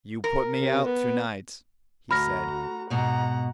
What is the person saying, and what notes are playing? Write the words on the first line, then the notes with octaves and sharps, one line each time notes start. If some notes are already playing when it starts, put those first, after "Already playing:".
"You put me out to-night," he said.
A#4
C3
B3
D2 F#4 A#5 B5 F6 A#6
G#2 B2 F#5 A#5